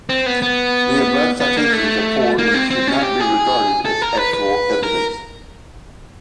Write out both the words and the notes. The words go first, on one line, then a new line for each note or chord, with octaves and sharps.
The above citations are poor and should not be regarded as actual evidence.
C4
B3
B3
B3
A#3
A3
A#3
C4
C4
C#4
G4
G#4
A4
A#4
B4
B4
A#4